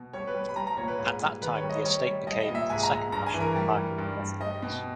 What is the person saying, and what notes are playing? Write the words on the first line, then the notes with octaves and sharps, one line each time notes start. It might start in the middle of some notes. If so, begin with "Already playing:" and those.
At that time the estate became the second national park in the Netherlands.
Already playing: B2
G3 C#5
B4
G3
B5
G3 A#5
A#5
A#2 C#5
B4
G#2
G3
D#3 B4
C#5
G3
D#5
G3 C#5
G3
G3 D#5
D#5
A#2
E5
G#2 G#5
A#5
G#2
G2 A#5
G#5
E3
A#4
G3
G3
G2
G3
G3 D#5
B2